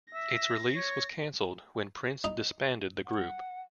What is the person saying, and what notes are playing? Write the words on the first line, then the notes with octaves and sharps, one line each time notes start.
Its release was canceled when Prince disbanded the group.
E5 A#6
C#5
D#4
F#5